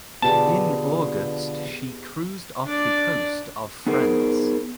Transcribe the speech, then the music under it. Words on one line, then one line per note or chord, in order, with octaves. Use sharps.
In August she cruised off the coast of France.
B2 D3 F3 B3 G4 G#4 A5
D4 D5
B3 D#4 G#4 A#4 C5